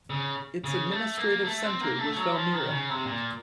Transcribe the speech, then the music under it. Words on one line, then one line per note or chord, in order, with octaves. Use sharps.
Its administrative center was Valmiera.
C#3
C#3
A3
A#3
A3
C4
A#3
A3
A3
F#3
F3
D#3
C#3
C3
A#2